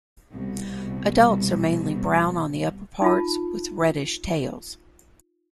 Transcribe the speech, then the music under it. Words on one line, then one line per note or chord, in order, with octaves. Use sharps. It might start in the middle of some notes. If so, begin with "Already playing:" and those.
Adults are mainly brown on the upperparts, with reddish tails.
C2 B2
D#4 F4 A5